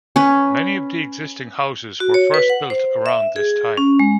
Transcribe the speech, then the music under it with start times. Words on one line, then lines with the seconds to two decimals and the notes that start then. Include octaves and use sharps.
Many of the existing houses were first built around this time.
0.16 C#4 B4
2.00 F#4
2.14 C#5
2.34 B4
2.50 F#5
2.70 C5
3.06 E5
3.36 G#4
3.77 C#4
3.99 G#3